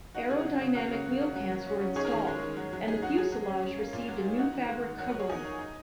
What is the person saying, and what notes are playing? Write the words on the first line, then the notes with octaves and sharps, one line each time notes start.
Aero-dynamic wheel pants were installed, and the fuselage received a new fabric covering.
D#4 F#4
C#3 G#4
F#3
C#3
A#3 F#4 A#4
C#3
F#3
C#3
F#3
F#3
C#4
C#4
D#4 G#4 C#5
A#4
D#3 G#4 C#5
G#3
D#3
F#3
F#3
D#4 G#4
D#4 F#4
F#3 G#4
F#3
C#4
C#4
A#3
A#2
F#3
D#4
D#4 F#4
D#3
G#3
D#3
F#3 F#4 A#4
F#4 A#4
F#3
G#4 C#5
D#4 D#5 G#5
D#4
D#4